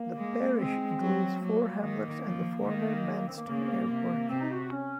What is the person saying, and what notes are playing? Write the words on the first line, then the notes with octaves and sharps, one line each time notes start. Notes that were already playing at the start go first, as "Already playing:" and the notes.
The parish includes four hamlets and the former Manston Airport.
Already playing: A#3
G#3
G#3 C4
F#3
F#3 A#3
D#3
F3
D#3
G#3
A#3
C4
A#3
C#3 A#3
C3
C3 C4
D#4
F#4
F#4
C#4